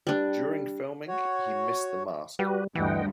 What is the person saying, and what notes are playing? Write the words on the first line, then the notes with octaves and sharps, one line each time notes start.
During filming he missed the mask.
G3 D4
F#4 C#5
G3 F#4 G4 B4
D2 G2 E3 D#5 F#5 G5